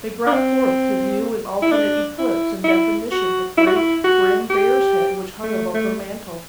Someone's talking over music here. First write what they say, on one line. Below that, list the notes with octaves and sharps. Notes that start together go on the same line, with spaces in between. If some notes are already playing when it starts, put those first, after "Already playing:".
They brought forth to view in alternate eclipse and definition the great, grim bear's head which hung above the mantel.
D4
C4
E4
D4
E4
E4
F#4
E4
F#4
E4
F#4
G4
A3
A3